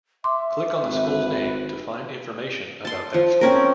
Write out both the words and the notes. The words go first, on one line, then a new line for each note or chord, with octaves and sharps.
Click on a school's name to find information about that school.
E5 C6 D6
G#1 B4
A5 C6
F3
C4 C#4 A#4